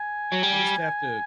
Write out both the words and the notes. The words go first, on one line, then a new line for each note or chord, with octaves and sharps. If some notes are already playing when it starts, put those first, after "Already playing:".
I just have to
Already playing: G#5
F#3
G3